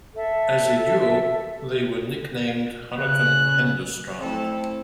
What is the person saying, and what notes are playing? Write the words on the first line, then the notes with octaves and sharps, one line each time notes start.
As a duo, they were nicknamed "Hurricane Henderstroud".
A4 E5
C#3 F#6
A3 C4 E4 A4